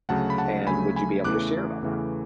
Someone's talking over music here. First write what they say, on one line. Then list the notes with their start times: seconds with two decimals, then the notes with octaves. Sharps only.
And would you be able to share about that?
0.09 D2 C#3 F#3 A3 F#5 A5
0.30 B5
0.38 F#5 A5
0.67 D2 C#3 F#3 A3 G#5 B5
0.96 G#5 B5
1.24 E2 C#3 E3 A3 D6 F#6
1.82 E2 C#3 E3 A3